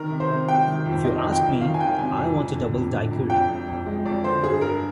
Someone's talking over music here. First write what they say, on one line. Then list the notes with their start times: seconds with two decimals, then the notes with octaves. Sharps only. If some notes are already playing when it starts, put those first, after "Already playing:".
If you ask me, I want a double daiquiri.
Already playing: D#3 A#4
0.10 C3
0.20 C5
0.30 C3
0.48 C3 G5
0.67 D#3
0.86 F2
1.04 D#3 D#5
1.23 F2
1.32 G5
1.42 F2
1.61 D#3 F5
1.74 G#5
1.80 D#3 G5
1.98 C3 G#5
2.17 F2
2.36 F2
2.55 D3
2.74 F2
2.93 D3
3.11 F2
3.30 F2 G5
3.49 F2
3.68 F2
3.86 G#3
4.05 F2 D5
4.23 D3 C5
4.43 G2 G#4
4.61 G2 A#4